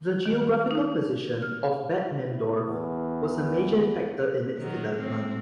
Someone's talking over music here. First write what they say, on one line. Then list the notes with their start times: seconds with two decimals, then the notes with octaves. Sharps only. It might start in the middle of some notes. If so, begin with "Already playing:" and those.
The geographical position of Bad Nenndorf was a major factor in its development.
0.26 D#3
0.71 D#4
1.42 F6
2.31 E4
2.67 E2
4.58 D#3 F#3
4.95 A2 C4